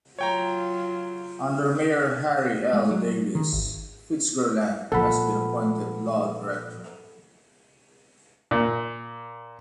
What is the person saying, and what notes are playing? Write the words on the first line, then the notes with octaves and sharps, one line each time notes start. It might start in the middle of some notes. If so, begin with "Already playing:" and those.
Under Mayor Harry L. Davis, FitzGerald was appointed law director.
F#3 F4 C#5 G5 A#5
G#3
F#3
D#3
G#1
A#2 F3 A4 F#5 B5
A#2